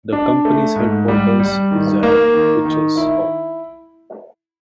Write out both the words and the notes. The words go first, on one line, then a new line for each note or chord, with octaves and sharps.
The Company's headquarters is at Butchers' Hall.
D4
A3
G#2
G3
G3
D#3
A#3
D#3
D#3
E4